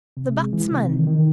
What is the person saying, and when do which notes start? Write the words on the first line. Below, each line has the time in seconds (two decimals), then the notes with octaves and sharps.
The batsman?
0.17 C3
0.35 G#3
0.53 E3
0.71 C3
0.89 D#3
1.07 D#3